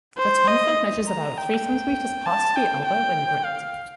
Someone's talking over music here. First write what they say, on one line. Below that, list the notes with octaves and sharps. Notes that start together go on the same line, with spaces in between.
The tonfa measures about three centimeters past the elbow when gripped.
C5
D#5
A#5
G5
A5
G5
G5
F5